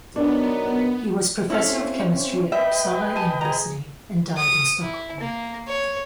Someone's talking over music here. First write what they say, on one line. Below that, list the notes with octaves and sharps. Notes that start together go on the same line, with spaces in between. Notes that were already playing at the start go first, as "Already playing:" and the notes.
He was professor of chemistry at Uppsala University, and died in Stockholm.
F#3 B3 D4 D#4 A#4
C4 C#4 E4 A4 F5
B4 D#5 E5 G5
G#5 A5
G#4 A#5
D#6
E4
A#3
C#5